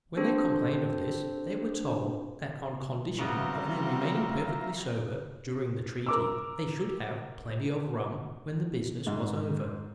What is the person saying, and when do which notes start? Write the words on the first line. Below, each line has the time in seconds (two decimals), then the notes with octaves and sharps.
When they complained of this, they were told that, on condition of their remaining perfectly sober during the treaty, they should have plenty of rum when the business was over.
0.17 C4 D4 G4 A4 C5
3.19 C#3 G3 B3 C4 F#4 E5 F5 A#5
6.06 A#4 D6 E6
9.07 G#2